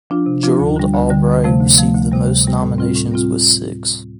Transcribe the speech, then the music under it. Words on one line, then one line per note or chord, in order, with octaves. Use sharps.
Gerald Albright received the most nominations with six.
F3 D4 F4
C3
F3 D4 F4
D2
D3 G3
D2
D3 G3
D2
C3 F3 A3
D2
C3 F3 A3
D2
C3 G3
D2
C3 G3
A2
G3 C4 F4
A2
G3 C4 F4